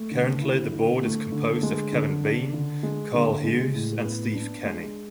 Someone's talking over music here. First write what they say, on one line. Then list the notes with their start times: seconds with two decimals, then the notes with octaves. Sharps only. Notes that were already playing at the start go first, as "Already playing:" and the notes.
Currently, the board is composed of Kevin Bean, Carl Hughes, and Steve Kenney.
Already playing: A3
0.11 D3
0.41 E4
0.72 D3
1.02 A3
1.32 D3
1.63 G#3
1.93 D3
2.24 D4
2.54 D3
2.83 G#3
3.14 D3
3.44 G#3
3.74 A2
4.04 B3
4.34 D4
4.65 G#3